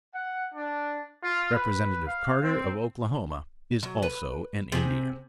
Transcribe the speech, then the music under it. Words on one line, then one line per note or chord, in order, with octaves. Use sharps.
Representative Carter of Oklahoma is also an Indian.
F#5
D4
F4
B4
F5
C4
F#3
B4
C3 C4 G#4